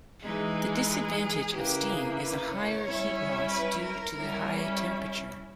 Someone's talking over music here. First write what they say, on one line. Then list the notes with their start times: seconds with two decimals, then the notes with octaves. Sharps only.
The disadvantage of steam is a higher heat loss due to the high temperature.
0.22 E3 G#3 D#4 G#4
0.88 G#4
1.53 C#3 E3 A#3 G4
1.86 G#4
2.19 B4
2.52 C#5
2.85 G3 C#4 E4
3.50 B4
3.82 A#4
4.15 G3 C#4 E4 A#4